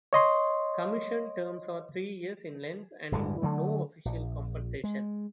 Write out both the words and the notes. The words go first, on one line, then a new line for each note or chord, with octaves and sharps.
Commission terms are three years in length and include no official compensation.
C#5 D#5 C6
D1 G2 D3 G#3
D3 F#3 A3
A#1
G#3